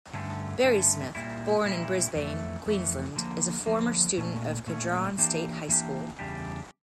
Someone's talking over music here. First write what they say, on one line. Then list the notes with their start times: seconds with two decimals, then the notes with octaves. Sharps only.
Barry-Smith, born in Brisbane, Queensland, is a former student of Kedron State High School.
0.14 G2 D3 A3 C#4
0.64 G2 D3 A3 C#4
1.15 A#2 G3 A#3 E4
1.65 A#2 G3 A#3 E4
2.15 F2 E3 A3
2.66 F2 E3 A3
3.16 D3 F3 A#3
3.66 D3 F3 A#3
4.17 A#2 A3 C#4
4.67 A#2 A3 C#4
5.18 E3 A#3 D4 G4
5.69 E3 A#3 D4 G4
6.19 E2 C#3 G3 D4 G4